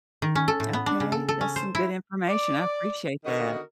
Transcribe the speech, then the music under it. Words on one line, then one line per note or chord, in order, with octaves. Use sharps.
Okay, that's some good information, I appreciate that.
D#3
C#4
A4
A2
B3
D4
C#3
A4
A4
C#4
C5
E4
D5
D3 D#3 B3 F#4 A#4 D#5